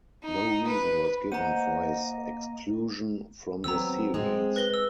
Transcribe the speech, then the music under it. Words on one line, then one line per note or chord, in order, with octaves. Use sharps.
No reason was given for his exclusion from the series.
D#4
B4
A#3 C5 D#5 F#5 A#5 D#7
F#3 B3 C4 A#5 E6
G#3 C4 G#4
B4 A#6 G7
E6